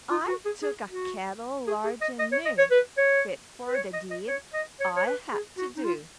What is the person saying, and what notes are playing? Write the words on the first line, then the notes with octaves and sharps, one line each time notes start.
I took a kettle large and new, Fit for the deed I had to do.
F4
F#4
G#4
G#4
F#4
G#4
G#4
D#5
D#5
C#5
D#5
C#5
B4
C#5
B4
C#5
D#5
D#5
C#5
D#5
C#5
C#5
B4
G#4
F#4
D#4
F4